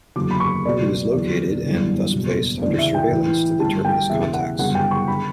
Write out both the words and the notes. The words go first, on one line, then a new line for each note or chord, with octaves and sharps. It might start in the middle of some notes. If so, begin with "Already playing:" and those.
He was located and thus placed under surveillance to determine his contacts.
F#1 E2 D3 F#3 D6
B5
C#6
C#2 B2 F#3 D5
E2 D3 F#3
G1 F#2 E3
F#1 E2 B2 F#3
D2 C#3 E3 D5
E5
G5
A1 A2 E3
A1 G2 D3 A5
G5
E1 E2 C#3 E5
F#5
G1 F#2 C#3 F#3 F#5
G5
C#6
D3 B5